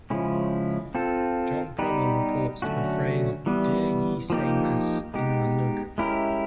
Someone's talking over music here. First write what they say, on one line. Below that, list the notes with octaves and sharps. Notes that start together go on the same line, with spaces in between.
John Prebble reports the phrase Daur ye say Mass in my lug?
C#3 F3 G#3 C#4 E4
C4 F4 A4
G3 B3 D#4 G4 B4
D3 F#3 A3 C#4 F#4
E3 G3 B3
F3 A#3 D#4 G4
G#3 B3 D#4 G4
G#3 C#4 E4 G4 A#4